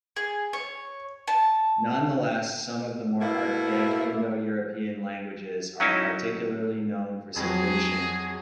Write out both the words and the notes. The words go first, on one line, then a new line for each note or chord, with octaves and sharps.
Nonetheless, some of the more archaic Indo-European languages are particularly known for suppletion.
G#4
C#5
A5
B2 A3 A#3 E4
F#3 C#4 D#4 E4
F2 F#3 G#4